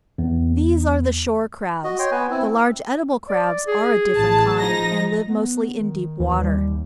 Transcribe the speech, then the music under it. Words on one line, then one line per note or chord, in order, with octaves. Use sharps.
These are the Shore Crabs; the large Edible Crabs are a different kind, and live mostly in deep water.
E2
F#4 D#5
C#5 G5 C6
B3 B4 G#5
C4 E4
D5
G#4
A1 A5
F3 D#4 A#6
B3
D#3
D#2 E3
G3